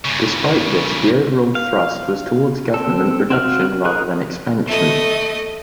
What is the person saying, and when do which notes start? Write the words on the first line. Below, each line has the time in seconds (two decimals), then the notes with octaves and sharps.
Despite this, the overall thrust was towards government reduction rather than expansion.
0.05 G2 C#3
1.55 F5
2.74 C4 A4
3.30 C4 F#4 F5 F6
3.85 D#4 G#4 A#4 F#6
4.67 A3 D#5